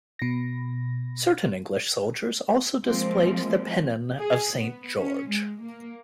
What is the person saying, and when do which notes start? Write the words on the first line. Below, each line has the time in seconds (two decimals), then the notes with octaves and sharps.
Certain English soldiers also displayed the pennon of Saint George.
0.19 B2 A#6
2.86 F3 G#3 A#3 C4
4.18 G#4
4.58 B3
4.98 C#4
5.29 G#3
5.62 A#3